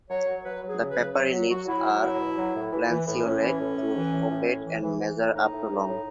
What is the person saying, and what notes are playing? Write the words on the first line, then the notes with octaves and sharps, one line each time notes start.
The papery leaves are lanceolate to ovate and measure up to long.
F#3 C#5
F#3
F#3 B4
F#3
G#4
C#3
B4
C#3
F#3 C#5
F#3
F#3 F#4
F#3 E4
F#3
F#3
B2
F#3
A2
E3
E3
A2
A2 C#4
E3
A2
A2
E3
A2
A2
A2
E3
E3
E3
A2
A2 D#4
A2
A2
A2